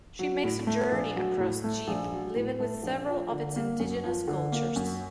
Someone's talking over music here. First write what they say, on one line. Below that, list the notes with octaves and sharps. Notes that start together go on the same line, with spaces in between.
She makes a journey across Jeep, living with several of its indigenous cultures.
F#3
A2
A3
A#1
F#3
A2
A3
A#1
F#3
A2
A3
A#1
F3
D3
A#3
F#2
F3
D3
A#3
F#2